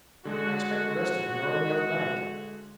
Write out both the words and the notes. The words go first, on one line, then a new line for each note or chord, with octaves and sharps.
I expect the rest of them are on the other bank.
D3 G#3 F#4